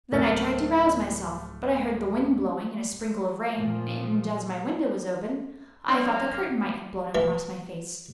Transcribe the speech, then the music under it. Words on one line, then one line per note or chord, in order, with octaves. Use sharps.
Then I tried to arouse myself, but I heard the wind blowing and a sprinkle of rain, and, as my window was open, I thought the curtain might have blown across my face.
D1 A3 A#4 A6
A#2 F3
F#3 A#3 C4 D4 F5
E3